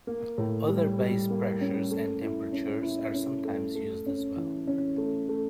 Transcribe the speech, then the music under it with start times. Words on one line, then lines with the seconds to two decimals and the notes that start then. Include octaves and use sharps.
Other base pressures and temperatures are sometimes used as well.
0.07 A#3
0.38 A2
0.69 G3
0.99 G3
1.30 A#3
1.61 C#4
1.91 A3
2.22 E4
2.53 C#4
2.83 E4
3.14 C#4
3.45 A3
3.75 A3
4.06 C#4
4.36 E3
4.67 C#4
4.98 A3
5.29 A3